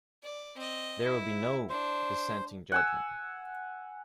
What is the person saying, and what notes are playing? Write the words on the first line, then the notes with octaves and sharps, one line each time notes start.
There will be no dissenting judgment.
D5
C4 D#5
E4
D4 C5
F#5 G#5 E6